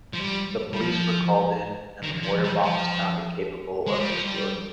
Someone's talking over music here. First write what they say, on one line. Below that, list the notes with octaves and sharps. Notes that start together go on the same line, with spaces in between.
The police were called in and the mortar bomb was found incapable of exploding.
F3
G3
G3
F3
D#3
F3
G3
F3
G#3
G3
F3
G3